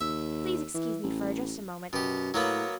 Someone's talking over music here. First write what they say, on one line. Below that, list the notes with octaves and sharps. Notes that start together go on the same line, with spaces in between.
Please excuse me for just a moment.
D#2 E5
E3
A1
F#2 B2 G4
A2 F#3 A#3 B3